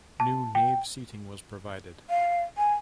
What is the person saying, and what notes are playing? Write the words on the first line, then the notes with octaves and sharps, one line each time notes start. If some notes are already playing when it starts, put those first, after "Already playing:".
New nave seating was provided.
A5
G5
F5
G#5